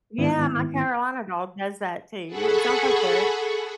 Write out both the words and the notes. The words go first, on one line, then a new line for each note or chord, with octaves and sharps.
Yeah, my Carolina dog does that too. It sounds like the
G#2 D#3 B3 E4
G#4 A4 F#5 B5 C#6